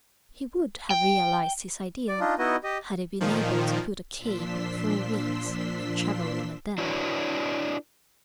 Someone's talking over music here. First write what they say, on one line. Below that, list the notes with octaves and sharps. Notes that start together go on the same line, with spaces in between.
He would have realized his ideal, had he been able to put a cave on four wheels and travel in a den.
G5
D5
D4 D#4 F4
B3 D#4 E4 F#4 D#5
G4 D#5
A#2 D#3 F3
A#2 F3 D4 C6 E6 B6
D4 E4 F#4 B4 C#5